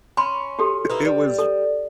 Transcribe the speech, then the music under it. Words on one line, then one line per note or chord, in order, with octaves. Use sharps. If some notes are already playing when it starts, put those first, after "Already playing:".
it was
C#4 B5 C6
F#4 G4 A4
A#3 D#4 E4 B4
G3
A4